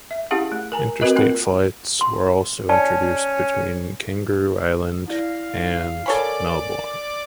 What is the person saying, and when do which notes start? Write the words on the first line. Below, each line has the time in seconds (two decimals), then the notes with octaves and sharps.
Interstate flights were also introduced between Kangaroo Island and Melbourne.
0.11 E5
0.31 C#4 E4 G4 G#4 F5 F#5
0.52 A3
0.72 A#4 G#5 A#5
1.01 C4 F#4 A#4 B4 D#5
1.15 A#3 C4 F4 A#4
2.01 C6
2.69 C#4 D5 A5
5.08 E4 D5 F5 A#6
6.06 A4 A#4 C#5 D5 G#5 B5 D6